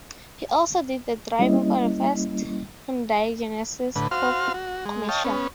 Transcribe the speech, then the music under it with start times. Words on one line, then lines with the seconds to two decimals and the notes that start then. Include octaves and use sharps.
He also did the driving for the first Hyundai Genesis Coupe commercial.
1.39 G3 A#3 C#4 E4 D#5
3.96 A2 D3 B4
4.11 F#4 C5 F5 C6 F6
4.54 F#4
4.86 G#3
5.09 C#5 D#5 F5 G5 A5
5.25 B3 C#4